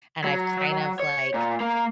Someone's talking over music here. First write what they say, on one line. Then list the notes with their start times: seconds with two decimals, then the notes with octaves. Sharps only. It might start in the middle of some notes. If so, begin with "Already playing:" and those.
and I've kind of like,
0.24 F#3
1.00 C#5
1.34 A#2
1.60 A#3